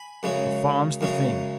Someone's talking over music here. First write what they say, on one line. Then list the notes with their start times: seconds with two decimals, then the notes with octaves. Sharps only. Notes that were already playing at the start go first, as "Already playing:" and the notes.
The farm's the thing.
Already playing: G#5 B5
0.23 F#2 C#3 G#3 C#4
1.01 F#2 C#3 G#3 C#4